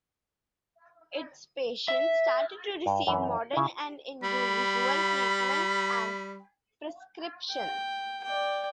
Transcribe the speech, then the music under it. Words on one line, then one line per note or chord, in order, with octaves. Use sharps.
Its patients started to receive modern and individual treatment and prescriptions.
E5
G2
F#2 E3
C#3 E4
G3 B5
G5
D5 G5